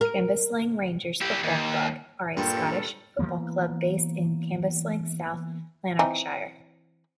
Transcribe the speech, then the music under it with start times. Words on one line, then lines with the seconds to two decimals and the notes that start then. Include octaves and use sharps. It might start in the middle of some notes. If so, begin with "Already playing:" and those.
Cambuslang Rangers Football Club are a Scottish football club based in Cambuslang, South Lanarkshire.
0.01 A#4
1.21 E4 G4
1.43 D#2
2.37 G2 A#2 A4 G5
3.19 E3 F3 A#3 B3
5.99 E3 C4 D#4